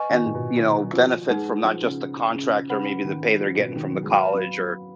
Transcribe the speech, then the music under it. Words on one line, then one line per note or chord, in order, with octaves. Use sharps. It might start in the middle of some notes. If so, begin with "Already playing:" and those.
And, you know, benefit from not just the contract or maybe the pay they're getting from the college or
Already playing: B4 D#5 G#5 C#6
D#3
A#2
B2
D#3
F3
G#3 D#4 G#4 B4 F#5
F3
C#3
C#3
C#3 B4 F#5 B5
D#3
F3
B2
D#3
F#3
G#3
F#3 B4 F5 B5
F#3
F#3